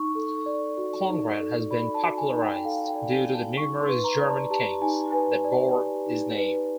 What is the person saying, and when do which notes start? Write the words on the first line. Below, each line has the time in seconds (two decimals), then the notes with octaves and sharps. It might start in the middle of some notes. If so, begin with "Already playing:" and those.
Konrad has been popularized due to the numerous German kings that bore this name.
Already playing: D#4 C#6
0.15 A4
0.46 D5
0.77 F#4
1.09 D#4
1.40 A4
1.70 D5 B5
1.94 A5
2.02 F#4
2.18 G#5
2.32 D#4
2.41 G5
2.64 A4 F5
2.87 G5
2.95 D5
3.11 G#5
3.27 F#4
3.34 A5
3.57 D#4 C#6
3.80 C6
3.88 B4
4.04 A#5
4.19 D5
4.27 A5
4.50 G4 A5
4.81 D#4 G#5
5.12 B4 G#5
5.44 D5
5.74 G4
6.06 D#4
6.38 B4